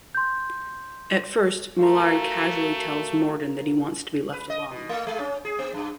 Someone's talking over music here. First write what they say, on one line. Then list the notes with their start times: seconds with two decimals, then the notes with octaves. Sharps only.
At first, Mollari casually tells Morden that he wants to be left alone.
0.15 C6 G6
1.79 A3 F#4 A#4 F5 A#5
4.33 B4
4.50 D#5
4.71 B2
4.89 A3
5.07 G#3
5.19 C#4
5.45 G#4
5.59 B3
5.74 G2